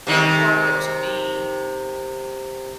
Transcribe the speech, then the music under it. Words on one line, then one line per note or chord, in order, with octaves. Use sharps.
and brought it up to me
C3 D#3